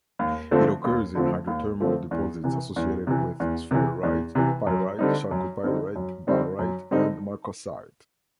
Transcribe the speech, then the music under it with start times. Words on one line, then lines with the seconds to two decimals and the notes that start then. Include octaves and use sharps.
It occurs in hydrothermal deposits associated with sphalerite, pyrite, chalcopyrite, barite and marcasite.
0.19 D#2
0.51 D3 F3 A3 C4
0.84 D#2
1.15 D3 F3 A3 C4
1.47 D#2
1.80 D3 F3 A3 C4
2.11 E2
2.44 C3 E3
2.76 E2
3.07 C3 E3
3.40 E2
3.71 C3 E3
4.03 E2
4.35 C3 E3
4.67 F#2
4.99 D3 G3 C4 D#4
5.31 F#2
5.63 D3 G3 C4 D#4
5.96 F#2
6.27 D3 G3 C4 D#4
6.59 F#2
6.91 D3 G3 C4 D#4